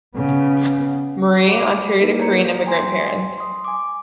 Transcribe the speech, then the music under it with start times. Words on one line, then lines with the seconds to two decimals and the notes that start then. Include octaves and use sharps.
Marie, Ontario to Korean immigrant parents.
0.15 C#3 B3
1.48 G#4 C#5 F#5 B5 D6
2.01 A#3 D#4 E4 A#4 B4
2.20 C#5 D5 A#5 C#7
2.66 G5 G#5 C6
3.38 C6 D#6
3.64 G#5 D6